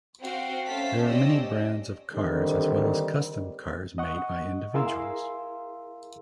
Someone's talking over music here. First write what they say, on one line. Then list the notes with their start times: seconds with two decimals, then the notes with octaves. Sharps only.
There are many brands of cars as well as custom cars made by individuals.
0.22 C4 F#4 F5 G5
0.69 A3 C#4 C5 F5 A5 B6
1.07 C#4 G4 C5 D5 D#5 E6
2.14 D3 D#3 G3 C4 D#4
3.98 D#5 F#5 C#6
4.74 E4 G#4 A#4 F5 C6 E6